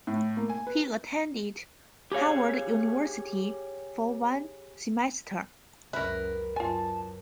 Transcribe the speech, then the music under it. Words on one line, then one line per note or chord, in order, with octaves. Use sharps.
He attended Harvard University for one semester.
A2
A#3
G#5
B4
G4 G#4 C#5 F5
C#2 F#2 C#4 E4 A#4 B4 E5
F#2 F4 G#5 A5